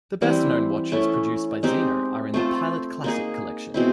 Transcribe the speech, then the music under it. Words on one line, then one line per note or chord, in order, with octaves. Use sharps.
The best known watches produced by Zeno are in the "Pilot Classic" collection.
E3 G3 C4 E4
A3 C#4 E4 A4
G#3 C4 D#4 G4
A3 C4 F4 A4
A#3 D#4 G#4
B2 G#3 C4 E4